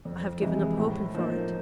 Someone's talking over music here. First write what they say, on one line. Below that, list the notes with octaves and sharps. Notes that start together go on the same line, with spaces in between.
I have given up hoping for it.
F2
C3 E3 G#3
A2
F3 A#3 D#4